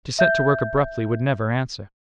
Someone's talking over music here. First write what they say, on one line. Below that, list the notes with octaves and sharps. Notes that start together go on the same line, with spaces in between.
To set to work abruptly would never answer.
E5 G6